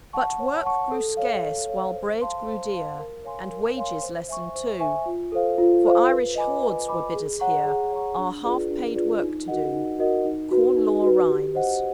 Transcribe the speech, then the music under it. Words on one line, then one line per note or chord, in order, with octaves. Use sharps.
'But work grew scarce, while bread grew dear, And wages lessened, too; For Irish hordes were bidders here, Our half-paid work to do.' CORN LAW RHYMES.
F#5 A5 C#6
C#5
F#5 A5 C#6
A4
C#5 F5
A4
C#5 F5
C5
F5 A5 C6
C5
F5 A5 C6
A#4
C#5 F5 G#5 C6
A#4
C#5 F5 G#5 C6
C5
E5 G#5 C#6
C5
E5 G#5 C#6
F4
A4 C5 F5
F4
A4 C5 F5
B4
D#5 G#5 B5 D6
B4
D#5 G#5 B5 D6
G#4
C#5 F#5 A#5 C#6
G#4
C#5 F#5 A#5 C#6
D4
F4 G#4 B4 D5
D4
F4 G#4 B4 D5
D#4
F#4 A#4 D#5 F#5
D#4
F#4 A#4 D#5 F#5
D#4
F#4 B4
D#4
F#4 B4
G4
C5 D#5 F#5